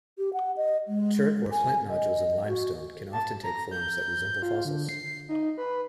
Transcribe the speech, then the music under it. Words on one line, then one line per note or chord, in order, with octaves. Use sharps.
Chert or flint nodules in limestone can often take forms that resemble fossils.
G4
F#5
D#5
G#3
G#5
D#5
F#4
A5
A#5
G6
F4
D3
C7
D#4
B4